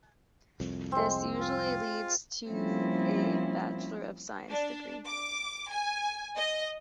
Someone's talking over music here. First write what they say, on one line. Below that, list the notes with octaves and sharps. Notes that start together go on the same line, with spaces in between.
This usually leads to a Bachelor of Science degree.
C2 F2
G#3 C4
F4
F3 G3 A#3 C4 C#4 E4
D4
D6
G#5
D#5